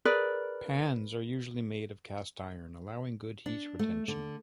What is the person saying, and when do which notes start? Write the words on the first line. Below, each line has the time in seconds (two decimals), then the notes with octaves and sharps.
Pans are usually made of cast iron, allowing good heat retention.
0.05 G#4 A#4 B4 D5
3.46 D4
3.79 A3
4.08 D3